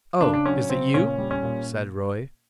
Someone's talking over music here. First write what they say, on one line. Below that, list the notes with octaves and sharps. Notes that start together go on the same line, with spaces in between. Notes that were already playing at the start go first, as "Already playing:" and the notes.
"Oh, is it you?" said Roy.
C#3 D4
D4
F#3 C#4
C#3 C4
A#2 C#4
G3
C#4
A#2